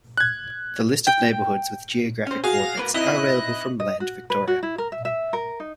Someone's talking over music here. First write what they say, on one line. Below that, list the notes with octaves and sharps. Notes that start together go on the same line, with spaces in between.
The list of neighbourhoods, with geographic coordinates, are available from Land Victoria.
F#6 G#6
G5
C#4 C5
F#4 G#4 F5 A#6
A#3 B4
C4 D#4 E4 D#5 F#6 B6
D#5
F#4
B4
F#4
E4
A#4
E5
E5
A#4
D#4